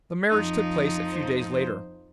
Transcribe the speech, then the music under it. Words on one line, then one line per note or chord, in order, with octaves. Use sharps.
The marriage took place a few days later.
F2 F3 D#4
C5
C5